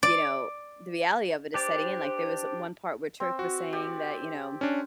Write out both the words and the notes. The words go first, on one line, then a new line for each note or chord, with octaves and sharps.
you know the reality of it is setting in like, there was one part where Turk was saying that, you know
D5
D4 G4 C5 D5
C4
F#4
G4 D5
C#4 D4